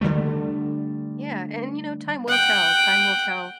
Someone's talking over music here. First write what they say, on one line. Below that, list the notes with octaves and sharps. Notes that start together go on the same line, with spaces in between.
Yeah. And, you know, time will tell. Time will tell
D3 D#3 G3 A3
F#5 G5